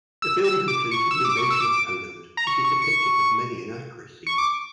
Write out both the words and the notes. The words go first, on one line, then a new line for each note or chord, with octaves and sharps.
The film concludes with the Invasion of Poland, which is depicted with many inaccuracies.
E6
E6
D6
C#6
E6
D6
C#6
E6
D6
A#5
C#6
C#6
C#6
C#6
D6